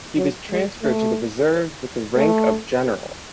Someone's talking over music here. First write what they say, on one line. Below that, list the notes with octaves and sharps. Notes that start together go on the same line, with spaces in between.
He was transferred to the reserve with the rank of general.
F#3
G#3
A3
A3